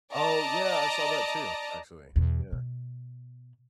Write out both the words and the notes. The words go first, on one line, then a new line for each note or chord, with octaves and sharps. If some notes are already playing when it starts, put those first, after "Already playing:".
Oh, yeah. I saw that too, actually, yeah.
D5 D#5 A5 A#5
E2 B2
B2